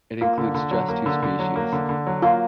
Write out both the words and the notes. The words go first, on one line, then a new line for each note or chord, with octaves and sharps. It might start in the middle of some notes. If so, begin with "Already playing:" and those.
It includes just two species.
A#3 F4
D3
D3
F#3
A#3
D3
D3
F#3
A#3
D3
D3
F#3
A#3 F4